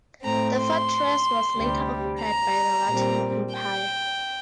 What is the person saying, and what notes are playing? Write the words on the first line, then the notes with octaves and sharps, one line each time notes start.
The fortress was later occupied by the Latin Empire.
A2 A3 C4 A#5
C6
D2 C3 G3
A#5
A#2 G3 C4
G5